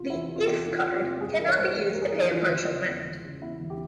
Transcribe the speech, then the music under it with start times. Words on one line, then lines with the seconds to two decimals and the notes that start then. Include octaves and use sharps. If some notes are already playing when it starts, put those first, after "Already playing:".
The Iff card cannot be used to pay a partial amount.
Already playing: E2 C3 F4
0.10 E3 E4
0.28 C3
0.36 F4
0.47 E2 G4
0.65 E3
0.71 F4
0.84 C3
0.91 F4
0.96 G4
1.02 C3
1.21 G2 G#4
1.39 E3 A#4
1.48 C#5
1.58 G2 C5
1.76 E3
1.94 G2 A#4
2.02 G#4
2.08 A#4
2.12 E3
2.31 E3 F4
2.43 E4
2.49 G#1
2.55 F4
2.68 C#3
2.87 E2
3.05 E1
3.23 C#3
3.42 E2 E4
3.61 E1
3.70 G4